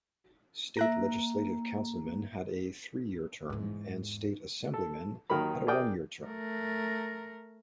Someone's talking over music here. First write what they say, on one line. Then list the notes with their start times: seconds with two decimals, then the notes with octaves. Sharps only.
State Legislative Councilmen had a three-year term and State Assemblymen had a one-year term.
0.77 A#3 E5 F#6 A#6
3.50 E2 G#2
4.74 A4
5.30 D#2 D#3 F#3 A#4 B5
5.67 G#4 A#4 D5 G5 D#6
6.26 A3 A#4